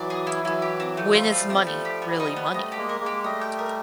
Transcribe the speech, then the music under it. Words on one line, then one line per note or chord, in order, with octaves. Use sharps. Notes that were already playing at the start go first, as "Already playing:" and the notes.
When is money really money?
Already playing: E3 F#3 D5
G#4
E4
E3 F#3 E4
G4
C4
A3
F3 G3 F4
A3
C4
A3
G4
B3
D#4
B3
G3 A3 D#5
G4
G#3 A#3
A#4
G#3 A#3
G4
G3 A3 D#5
G5
A#4